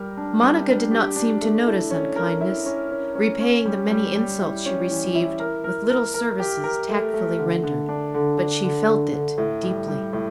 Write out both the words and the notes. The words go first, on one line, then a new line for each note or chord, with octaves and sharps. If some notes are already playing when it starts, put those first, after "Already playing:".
Monica did not seem to notice unkindness, repaying the many insults she received with little services tactfully rendered, but she felt it deeply.
Already playing: G3 A#4
D4
G3
D4
G4
D4
A3
E4
C#4
A#4
E4
C#4
C#4
C#4
C#4
G3
G3
G3
E4
C#4
E3
E4
A#4
A#4
A#4
A#4
G4
A#4
A3
A3
D3
D3
D4
D3
D4
D3
D3
D3
A2
G3
G3
A2